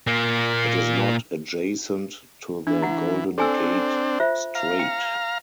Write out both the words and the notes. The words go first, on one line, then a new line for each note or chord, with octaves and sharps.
It is not adjacent to the Golden Gate strait.
A#2 A#3
E3 D4
E4 F#5
C4 D4 A4 G#5 E6
F4 C5 E5
F5 A#5
G5